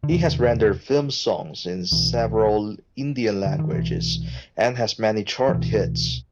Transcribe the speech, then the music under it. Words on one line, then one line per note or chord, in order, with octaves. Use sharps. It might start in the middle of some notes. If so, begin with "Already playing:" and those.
He has rendered film songs in several Indian languages and has many chart hits.
D3
E2 C3 D#3
C2 B2 E3
D3
D#3
C2 B2 E3
F3
C#2 B2 E3